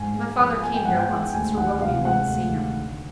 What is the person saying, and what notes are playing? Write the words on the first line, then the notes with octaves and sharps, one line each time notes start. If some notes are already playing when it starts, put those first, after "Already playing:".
My father came here once, and Sir Willoughby wouldn't see him.
Already playing: G#2 G#5
G#3
F3
B3 G#5
G5
G#2 F#5
G5
G#3
D2 G#5
D#3 F#5
C3 F5
G#3 F#5
D2
D#3
D3